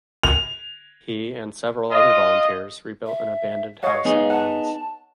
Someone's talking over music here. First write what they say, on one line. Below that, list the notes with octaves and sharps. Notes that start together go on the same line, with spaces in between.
He and several other volunteers rebuilt an abandoned house in ruins.
F7
F4 D#5
E5
C#5 D#5 F5 F#5
B3 D#4 G#4
F#5 A5